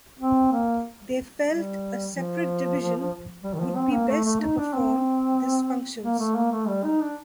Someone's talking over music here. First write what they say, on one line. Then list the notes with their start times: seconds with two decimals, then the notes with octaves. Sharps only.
They felt a separate division would be best to perform these functions.
0.19 C4
0.52 A#3
1.49 G3
2.14 F3
3.44 G3
3.54 D#3
3.60 F3
3.76 C4
3.92 A#3
4.08 A3
4.24 A3
4.40 D#4
4.57 D4
4.73 C4
6.03 A#3
6.19 A3
6.35 A#3
6.52 A3
6.67 G3
6.84 D#4
7.00 D4